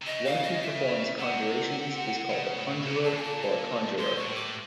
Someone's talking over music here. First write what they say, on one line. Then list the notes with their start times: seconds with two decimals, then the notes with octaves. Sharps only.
One who performs conjurations is called a conjurer or conjuror.
0.02 C3
0.06 C#3 D#5
0.25 F5
0.43 D#5
0.62 E5
1.18 C3 F#5
2.30 C#3
2.58 A2
2.86 A#2
2.99 A2
3.04 A5
3.12 A#2
3.17 G#5
3.23 A5
3.42 A5
3.98 G#2 C6
4.16 G#2 C#6
4.26 A2
4.35 D6